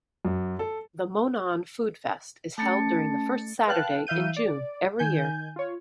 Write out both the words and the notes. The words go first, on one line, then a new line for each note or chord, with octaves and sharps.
The Monon Food Fest is held during the first Saturday in June every year.
F#2
A4
A3 C#4 A5 A6 C#7
B4 F5 G5 A5 F#6
E3 E5 F5 G6 D#7
D5
D#3 G#5 G6
F4 C#5